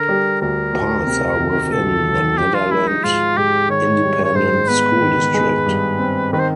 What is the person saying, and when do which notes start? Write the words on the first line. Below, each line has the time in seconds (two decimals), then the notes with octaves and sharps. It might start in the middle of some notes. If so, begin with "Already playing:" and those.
Parts are within the Nederland Independent School District.
Already playing: D3 A#4
0.09 G3
0.41 D2 A#4
0.73 D2
1.07 C3
1.40 D#3
1.72 C#2 A4
2.06 F#3
2.38 F3 G4
2.54 F4
2.71 G#3 E4
2.87 D#4
3.04 G#2 F4
3.37 G#2 G4
3.69 D#3 C#5
4.03 G3
4.24 C#5
4.35 G#2 C5
4.68 B3 B4
5.01 D#3
5.34 G#3
5.66 G2
5.99 C4
6.33 D#3 B4
6.39 C5